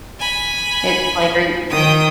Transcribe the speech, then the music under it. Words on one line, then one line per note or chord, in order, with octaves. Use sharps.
It's like, "Are are
G#5 B5
D#3 G5 D#6